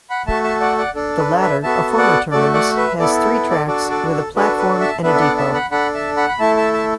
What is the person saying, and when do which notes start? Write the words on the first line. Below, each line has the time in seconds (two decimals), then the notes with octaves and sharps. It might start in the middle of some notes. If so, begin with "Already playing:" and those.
The latter, a former terminus, has three tracks with a platform and a depot.
0.10 F#5 B5
0.27 A3 F#4 A4 E5 A5
0.44 E5 A5
0.61 D5 F#5
0.78 D5 F#5
0.95 D4 A4
1.18 B4
1.40 B4 E5
1.63 B3 F#4 A4 E5 A5
1.98 D5 F#5
2.31 A3 F#4 A4 D5
2.54 D5 F#5
2.77 B4 E5
2.99 B3 E4 A4 D5
3.33 B4
3.50 A4 D5
3.67 D4 F#4 A4 D5
3.90 A4 D5
4.13 A4
4.36 D4 F#4 A4 B4
4.58 B4
4.80 E5 A5
5.03 B3 D4 A4 B4 E5
5.15 E5
5.21 D5 F#5
5.38 E5 A5
5.54 F#5 B5
5.71 D4 A4 F#5 B5
5.94 E5 A5
6.17 F#5 B5
6.29 B5
6.39 A3 E4 A4 E5 A5
6.57 E5 A5
6.73 E5 A5